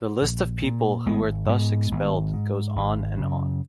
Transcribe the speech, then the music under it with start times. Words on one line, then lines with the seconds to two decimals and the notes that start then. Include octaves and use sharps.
The list of people who were thus expelled goes on and on.
0.22 A#1
0.64 A#2
1.06 G#1 G#3 B3
1.49 G#2 G#3 B3
1.91 G#1
2.33 G#2
2.75 G#1
3.18 F#2 C#3